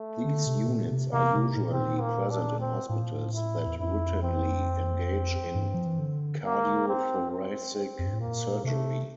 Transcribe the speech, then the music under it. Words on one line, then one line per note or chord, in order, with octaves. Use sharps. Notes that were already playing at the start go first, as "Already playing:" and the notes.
These units are usually present in hospitals that routinely engage in cardiothoracic surgery.
Already playing: A3
D3
C3
A#2
C3
C3 A#3
C3
A#2
C3 C4
A#2
A#3
D4
C4
A2 F3
A#2
A2
E4
E2
F2 E4
C4
G2
F3
E3
D3
A#3
C4
C4
C4
F2
G2
A2
A#2 A#3
C3 A3